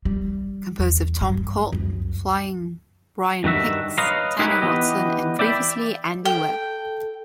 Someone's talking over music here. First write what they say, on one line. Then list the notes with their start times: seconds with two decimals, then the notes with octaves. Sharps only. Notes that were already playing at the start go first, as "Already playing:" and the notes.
Composed of Tom Colt, Flyin' Bryan Hicks, Tanner Watson and previously Andy Webb.
0.05 G3
0.79 E2
1.21 G2
1.71 C#2 F#2
3.44 G2 D#3 F#4 E5
3.98 B4 C#5 D#5 F5 A#5 C6
4.39 D#4 E4 G4 A#4 B4 C#5
4.62 E3 B3 G4 B4 D#5
5.39 D5 E5 G5 B5
6.26 A4 G5